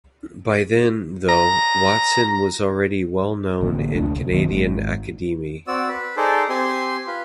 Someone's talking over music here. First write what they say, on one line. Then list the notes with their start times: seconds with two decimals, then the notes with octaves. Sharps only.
By then, though, Watson was already well known in Canadian academe.
1.29 A#5
3.61 A1 D3 A#3
3.95 F1 D2 A3 D4
4.15 C2
4.31 F#2 D#3 B3
4.48 G#1 G#2
5.68 C4 F#4 D5 E6
5.88 B4
6.17 D#4 G#4 A4 C5 D5
6.49 C4 G4 C5 G#5 C6
7.07 F4 B4